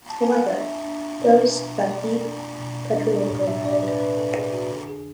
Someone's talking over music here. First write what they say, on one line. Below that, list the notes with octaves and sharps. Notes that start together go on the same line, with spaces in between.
However, those that eat Pedrillo go mad and die.
A5
G#5
F#5
D4 E5
D4
B2
B2
A3 D5
D4
B2
D4
A2 C#5
E5
D4 D5
B4
D4 B4
A4
D4 G#4
F#4
D3
G#4